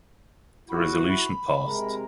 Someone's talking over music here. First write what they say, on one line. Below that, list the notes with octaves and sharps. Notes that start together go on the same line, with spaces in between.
The resolution passed.
E4 F#4 B5
B5
C3 G#3 A#4